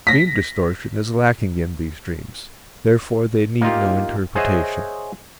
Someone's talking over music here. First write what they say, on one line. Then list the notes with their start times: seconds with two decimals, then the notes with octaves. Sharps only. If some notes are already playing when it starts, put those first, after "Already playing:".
Dream distortion is lacking in these dreams, therefore they need no interpretation.
0.07 A#6 B6
3.61 A#3 D#4 F4 G4
4.35 G#4 C5 C#5 D#5 E5 F#5